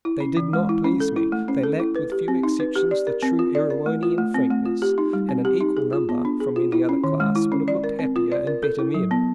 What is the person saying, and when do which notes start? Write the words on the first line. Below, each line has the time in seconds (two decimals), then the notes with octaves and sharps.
They did not please me; they lacked, with few exceptions, the true Erewhonian frankness; and an equal number from any other class would have looked happier and better men.
0.05 E4
0.20 C#4
0.37 E3
0.53 G#3
0.69 E4
0.84 C#4
1.00 A4
1.16 E4
1.32 A3
1.48 C#4
1.63 A4
1.80 E4
1.96 B4
2.12 G4
2.28 C4
2.43 D#4
2.60 B4
2.76 G4
2.91 D5
3.07 A#4
3.23 C4
3.39 F4
3.55 D5
3.70 A#4
3.86 A3
4.03 F4
4.18 A3
4.34 C4
4.51 A3
4.66 F4
4.82 G4
4.98 D#4
5.13 G3
5.29 C4
5.45 G4
5.61 D#4
5.77 G#4
5.93 F4
6.09 B3
6.25 D4
6.40 G#4
6.56 F4
6.72 E4
6.89 C#4
7.04 D#3
7.20 G#3
7.36 E4
7.52 C#4
7.68 D5
7.84 A#4
7.99 C4
8.16 F4
8.32 D5
8.47 A#4
8.63 A4
8.79 E4
8.94 F#3
9.11 B3